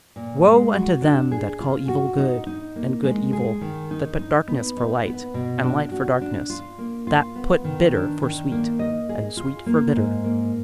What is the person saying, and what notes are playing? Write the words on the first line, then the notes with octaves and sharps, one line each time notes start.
Woe unto them that call evil good, and good evil; that put darkness for light, and light for darkness; that put bitter for sweet, and sweet for bitter!
A#2
G#3
F#4
D4
G#4
F4
F#4
D#4
D#4
A#3
G#3
G#4
D#3
D#4
D#4
B3
D#4
B3
B2
D4
F#4
D4
F4
A#3
F4
B3
D#3
D4
D#3
A#3
D#5
G#4
F4
A#3
G#2
A#3